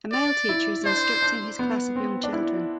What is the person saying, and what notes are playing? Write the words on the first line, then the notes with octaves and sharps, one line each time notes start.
A male teacher is instructing his class of young children.
D5
E4
D4 C5
D4
B3
C4
D4
E4